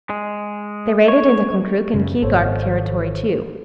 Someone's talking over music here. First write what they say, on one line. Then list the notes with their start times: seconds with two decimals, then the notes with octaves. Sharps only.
They raided into Konkrook and Keegark territory, too.
0.10 G#3
1.08 C#5
1.94 F#2 C#3
2.22 G#1 A4 C5 C#5